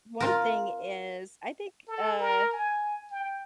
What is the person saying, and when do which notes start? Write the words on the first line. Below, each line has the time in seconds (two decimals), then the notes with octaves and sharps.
one thing is I think, uh,
0.20 F4 A#4
1.88 A4
2.19 A#4
2.52 G#5
3.11 G5